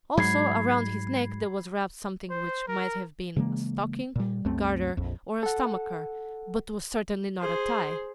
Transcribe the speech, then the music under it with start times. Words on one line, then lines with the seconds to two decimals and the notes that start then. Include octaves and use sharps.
Also, around his neck there was wrapped something which might have been a stocking, a garter, or a stomacher, but was certainly not a tie.
0.17 G#2 F#3 G#3 B5 G#6 C7
2.30 C5
2.67 A#4
3.36 C#3 E3 G#3 A#3
4.16 A#2 G3
4.45 C2 F#2 A3 C4
4.97 A#1 F2
5.43 A4 F#5
7.40 G#4 C5